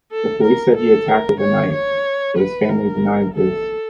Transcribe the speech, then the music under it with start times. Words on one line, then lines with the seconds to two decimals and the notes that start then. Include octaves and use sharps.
The police said he attacked with a knife, but his family denied this.
0.12 A4
0.43 A#4
0.76 A4
1.08 A#4
1.40 C#5
1.72 C#5
2.37 B4
2.69 A#4
3.34 A4